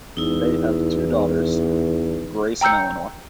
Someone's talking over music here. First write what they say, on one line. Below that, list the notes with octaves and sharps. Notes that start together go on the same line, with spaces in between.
They have two daughters, Grace and Eleanor.
E2 D#4 E4
G5 A#5 E6 G6 C#7